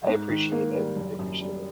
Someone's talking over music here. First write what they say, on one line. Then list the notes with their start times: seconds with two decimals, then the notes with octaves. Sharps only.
I appreciate it. I appreciate it.
0.07 G#2
0.29 D#3
0.52 A#3
0.74 G3
0.96 F#1
1.19 F#2
1.41 G3